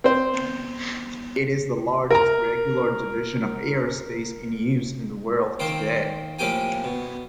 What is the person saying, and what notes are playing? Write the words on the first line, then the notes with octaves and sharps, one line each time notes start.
It is the largest regular division of airspace in use in the world today.
C4 C5
A#4 A#5
D#3 A#3 C5 G5
A2 F3 A#3 G4 G5 G#5
B2